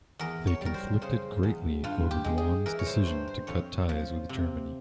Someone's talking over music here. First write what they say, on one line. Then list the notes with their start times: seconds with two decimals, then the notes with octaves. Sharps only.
They conflicted greatly over Duan's decision to cut ties with Germany.
0.19 E2 A#4
0.47 C#5
0.61 G3
0.66 A#4
0.74 C5
1.02 C#3 C5
1.43 E2
1.84 G2 F4
2.11 G4
2.24 G#3
2.38 G#4
2.66 E3 A#4
2.79 C#5
2.86 C5
3.06 G2 C5
3.28 C5
3.47 F2 C#5
3.89 F3
4.29 C3